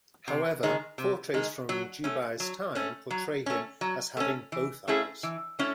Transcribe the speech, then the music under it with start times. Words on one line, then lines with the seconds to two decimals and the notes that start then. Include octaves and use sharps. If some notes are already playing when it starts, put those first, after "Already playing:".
However, portraits from Jubei's time portray him as having both eyes.
0.28 C3
0.63 D#3 G#3
0.98 C3
1.34 D#3 G#3
1.69 F#3
2.04 A3 C#4
2.40 F#3
2.75 A3 C#4
3.10 F#3
3.46 A3 C#4
3.81 F#3
4.17 A3 C#4
4.52 E3
4.88 A3 C#4 E4 G#4
5.23 E3
5.59 A3 C#4 E4